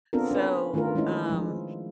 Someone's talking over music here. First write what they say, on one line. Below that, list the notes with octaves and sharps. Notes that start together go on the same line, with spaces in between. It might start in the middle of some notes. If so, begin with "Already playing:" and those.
So, um,
B3 C4 D4 F4 A4 A#4
C#4 B4
D#3 A3 D4 F4 A#4
G#3 C#4 D#4 E4
F3 G#3